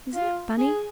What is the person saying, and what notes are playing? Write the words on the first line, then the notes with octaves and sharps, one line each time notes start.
Isn't it funny?
F4
G#4